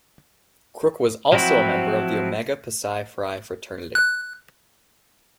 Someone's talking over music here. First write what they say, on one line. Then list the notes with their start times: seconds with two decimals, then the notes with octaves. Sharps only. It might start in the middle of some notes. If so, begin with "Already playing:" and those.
Crook was also a member of Omega Psi Phi fraternity.
1.32 F3 F#3 C4 E4 F#4
3.95 F#6